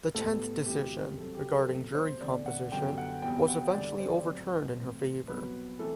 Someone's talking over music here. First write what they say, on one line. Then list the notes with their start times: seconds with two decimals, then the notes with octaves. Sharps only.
The tenth decision, regarding jury composition, was eventually overturned in her favor.
0.15 A2 G3 B3 A4
0.66 D2 C3 E3 G3 G4
1.17 G2 F#3 C4 A4
1.34 G4
1.52 A4
1.69 E2 C3 F#3 A3 C4
1.95 C5
2.20 E2 D3 A3 C4 D5
2.46 F#5
2.71 F#2 D3 G3 B3 G5
2.98 F#5
3.22 E2 B2 G3 C4 G5
3.48 F#5
3.73 G2 D3 G3 D5
4.00 C5
4.08 D5
4.17 C5
4.26 A2 F#3 A3 C4
4.76 A2 E3 A3 C4
5.28 C2 B2 F#3 C4 B4
5.79 E3 A3 C4 A4